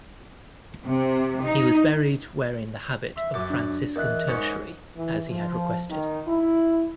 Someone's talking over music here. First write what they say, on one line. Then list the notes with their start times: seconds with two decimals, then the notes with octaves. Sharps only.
He was buried wearing the habit of a Franciscan tertiary, as he had requested.
0.85 C3
1.43 D#4
3.16 E5 C6
3.34 F#2 D6
3.50 D4
3.96 E2 A#4 D#5 F#6
4.27 G#2 C#4 C#5
4.95 E3
5.29 F3
5.90 D#3
6.27 E4